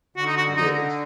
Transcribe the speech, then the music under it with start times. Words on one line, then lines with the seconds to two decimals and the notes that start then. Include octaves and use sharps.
It is.
0.16 D3 F#4
0.27 D#4
0.37 F#4
0.57 D3 D#4